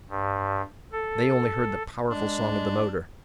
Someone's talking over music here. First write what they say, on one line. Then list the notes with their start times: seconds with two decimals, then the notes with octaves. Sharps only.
They only heard the powerful song of the motor.
0.10 G2
0.92 A4
2.10 G#3 D4